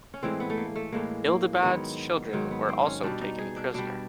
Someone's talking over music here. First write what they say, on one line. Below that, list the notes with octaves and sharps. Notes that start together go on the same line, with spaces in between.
Ildibad's children were also taken prisoner.
C#4
A2 E3 G#3 C4
B3
A3
A#3
A3
A2 E3 G#3 A#3
A#3
G#2 D#3 F#3 B3
G#2 D#3 F#3
B3
C4
C#4
B2 G3 D4
D#4
G#4
D4
B2 G3 D4